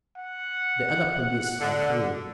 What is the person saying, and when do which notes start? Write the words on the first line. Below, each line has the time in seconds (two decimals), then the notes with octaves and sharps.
The other police are coming.
0.17 F#5
1.61 D3